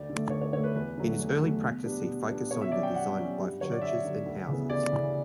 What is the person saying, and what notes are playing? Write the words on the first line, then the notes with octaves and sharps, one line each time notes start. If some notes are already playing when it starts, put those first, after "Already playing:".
In his early practice he focused on the design of both churches and houses.
Already playing: D2 D5
D3 A3
D2 C#5
C#5
D3 A3 C#5
B4
E2 B4
D3 F#3 A3
E2
D3 F#3 A3
B2
G3 B3 D4
B2
G3 B3 D4
B2 C#5
E5
F#3 C#4 D5
G5
B2 F#5
F#3 C#4
G2
D3 F#3 C#5
D5
G2 E5
D3 F#3
D2
C#3 E3 B3
D2 D5
C#3 E3 B3